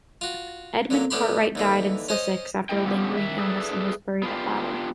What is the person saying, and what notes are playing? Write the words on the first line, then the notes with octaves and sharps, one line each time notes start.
Edmund Cartwright died in Sussex after a lingering illness and was buried at Battle.
F4 F#4
D3 F#3 A#3
A2 D3 B3 G4 B5 C6
D#2 D3 E3
C#4 C5 D#5
A3 E4 D#5 G5
D3 F3 B3 C#4 F#4 G4
D#3 E5
G#4 A4 B4 D5 E5
B3 D4 F4 G4